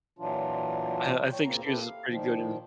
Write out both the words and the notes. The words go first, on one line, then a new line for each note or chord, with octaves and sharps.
I I think she was, uh, pretty good in
A#2 E3 F#3 D4 F4
C#5 G5
D2 A#2 C#3 A#3 C4 A#5
C4 E4 G4 A4 B4
F5
A#2 D#3 F3